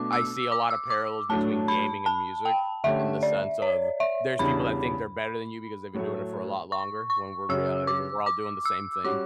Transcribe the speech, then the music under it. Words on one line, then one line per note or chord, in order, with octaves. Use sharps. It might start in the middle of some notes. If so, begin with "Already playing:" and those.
I see a lotta parallels between gaming and music, in the sense of, there's people that think they're better than you because they've been doing it for a lot longer, when we're reality, we're all doing the same thing,
Already playing: B2 A3 D4 D6
E6
D6
E6
D6
A2 F#3 A3 D4 A5
B5
A5
G5
D3 A3 C#4 G4 E5
D5
C#5
E5
E2 C#3 G3 D4 B5
A2 F#3 A3
C#6
C#6
F#2 C#3 F#3 C#4 E6
D6
D6
E6
G3 C#4 F#4 D6